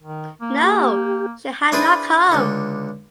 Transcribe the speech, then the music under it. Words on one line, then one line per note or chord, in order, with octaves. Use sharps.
No; she had not come!
D#3
A#3
G4
D4 E4 G#4 B4 C5 D5
C#2 D3